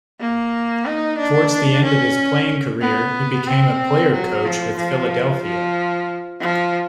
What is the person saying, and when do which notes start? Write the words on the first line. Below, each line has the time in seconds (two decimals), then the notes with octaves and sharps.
Towards the end of his playing career, he became a player-coach with Philadelphia.
0.20 A#3
0.86 D#4
1.18 D4
1.83 C#4
2.81 B3
3.47 C4
4.12 F#3
4.45 F3
4.77 F3
5.43 F3
6.41 F3